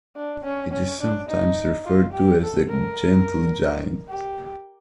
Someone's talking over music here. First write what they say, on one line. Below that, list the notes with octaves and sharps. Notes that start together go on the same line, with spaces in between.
It is sometimes referred to as the "Gentle Giant".
D4
C#4
C#4
D4
D#4
F4
G4
A4
A#4
G4